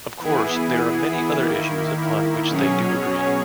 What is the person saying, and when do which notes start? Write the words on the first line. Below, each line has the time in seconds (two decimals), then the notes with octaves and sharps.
Of course, there are many other issues upon which they do agree.
0.20 E3 B3 E4 G#4
1.35 D#3 A#3 E4
2.49 B2 F#3 C#4 G#4 C#5